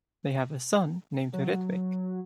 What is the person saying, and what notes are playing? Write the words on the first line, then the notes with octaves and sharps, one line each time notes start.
They have a son named Ritwik.
F#3